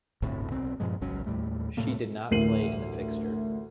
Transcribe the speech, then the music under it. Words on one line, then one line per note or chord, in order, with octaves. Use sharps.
She did not play in the fixture.
G1 D2 A2 C3
B1 C4
G2 A#2 F3 G#3
G#1 C#2 F#3 C#4
D#2 A2 G3 A3
A2 C3 A3 A#3
A1 D2 A#4 C7 D#7 F#7